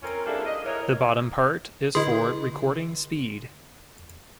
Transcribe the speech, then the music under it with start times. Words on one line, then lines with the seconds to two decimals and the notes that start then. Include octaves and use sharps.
The bottom part is for recording speed.
0.03 C4 C#4 F4 A#4
0.26 G3 A#3 D4 E4 G#4 A4
0.45 D#5
0.65 E3 A#4 C#5
1.95 D3 E4 G#4 D#5